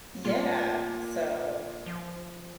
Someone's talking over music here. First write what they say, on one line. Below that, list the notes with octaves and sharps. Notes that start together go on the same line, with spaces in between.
Yeah. So,
A#2 F4
F3